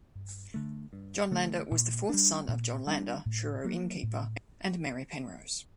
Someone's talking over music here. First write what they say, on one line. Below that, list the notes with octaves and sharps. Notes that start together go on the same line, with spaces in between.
John Lander was the fourth son of John Lander, Truro innkeeper and Mary Penrose.
G2
D3 A3
G2
D3 A3
A#2
G3 D4
A#2
G3 D4
A2
F#3 A#3
A2